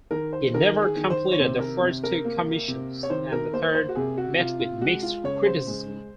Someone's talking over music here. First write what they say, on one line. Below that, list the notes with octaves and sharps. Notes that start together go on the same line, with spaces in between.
He never completed the first two commissions, and the third met with mixed criticism.
D#3 A#4
C5
D#3 A#4
G#4
D#3
C5
C#5
C3 C5
A#4
C3
A#4
A#3
C3
C#5
D#3 C5
A#4
A#3 C5
C5
F#4
C3 G#4
F#4
C3 F4
F4
G#3 F#4
F4
C#3 C#5
C5
G#3